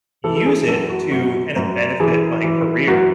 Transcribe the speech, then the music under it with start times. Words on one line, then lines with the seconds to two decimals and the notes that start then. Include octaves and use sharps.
use it to kind of benefit my career.
0.24 E3 A4
0.36 A4
0.46 G#4
0.68 F#2 A4
0.89 F#4
1.11 F#2 F#4
1.56 F#2
2.00 E3 G#4
2.44 E3
2.87 F#2 F#4